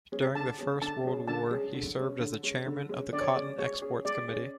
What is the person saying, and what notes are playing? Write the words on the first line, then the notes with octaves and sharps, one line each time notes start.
During the First World War he served as Chairman of the Cotton Exports Committee.
G#3 C#4 G#4
D3 A5
G#3 C#4 G#4
D3 A5
G#3 C#4 G#4
D3 A5
G#3 C#4 G#4
D3
G#3 C#4
D3
G#3 C#4
D3
G#3 C#4
D3 D5
C#5
D5
G#3 C#4
G#3 C#5
C#4 G#4
G#3 D5
C#4 G#4